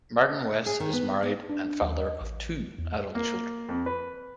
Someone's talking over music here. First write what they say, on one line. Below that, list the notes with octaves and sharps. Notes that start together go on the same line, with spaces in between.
Martin Weiss is married and father of two adult children.
G#4
D#3
B3
B3
D4
D#2
D#5
A1
E2
A#3
F2
B4